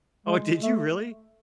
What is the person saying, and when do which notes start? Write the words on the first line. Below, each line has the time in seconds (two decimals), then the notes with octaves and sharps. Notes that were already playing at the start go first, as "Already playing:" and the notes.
Oh, did you really?
0.26 G#3
0.62 A3